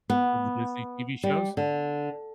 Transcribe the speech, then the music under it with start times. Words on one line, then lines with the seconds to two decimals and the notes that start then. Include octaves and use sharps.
From the Disney TV shows?
0.10 B3
1.24 G3
1.57 D3